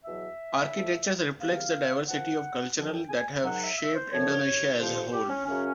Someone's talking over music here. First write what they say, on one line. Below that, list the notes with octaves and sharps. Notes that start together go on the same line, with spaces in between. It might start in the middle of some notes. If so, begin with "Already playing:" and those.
Architecture reflects the diversity of cultural that have shaped Indonesia as a whole.
E2 B2 F#3 E5
A2 F3
E2 C3 D#3 F#3 F5
A#2 F3 F#5
F#2 D3 F3
G5
G#5
G#2 D#3 F#3 F#5
E5
E5
C5
F#2 D3 F3 C#5
F2 C3 F3 C5
C5
G4
C#4
F#2 C#3 F#3 C#4